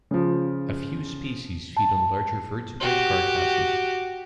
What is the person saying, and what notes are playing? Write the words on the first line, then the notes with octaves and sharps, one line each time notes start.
A few species feed on larger vertebrate carcasses.
C#3 F3
A5
F#4 G4